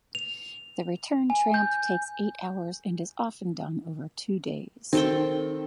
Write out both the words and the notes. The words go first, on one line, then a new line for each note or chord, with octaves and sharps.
The return tramp takes eight hours and is often done over two days.
F7
G#5
G6
D#3 C4 A4 G5